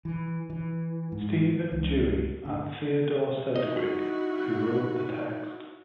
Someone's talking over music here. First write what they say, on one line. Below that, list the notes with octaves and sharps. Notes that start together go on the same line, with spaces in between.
Stephen Dewey, and Theodore Sedgwick, who wrote the text.
E3
E3
G#2
C#2
D3
D#4 E4 F#4 D#5